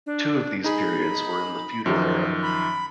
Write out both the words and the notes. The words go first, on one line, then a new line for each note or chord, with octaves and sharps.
Two of these periods were in the feudal era.
D4
D#4 G#4 B5
F#2 D#3 F3
B5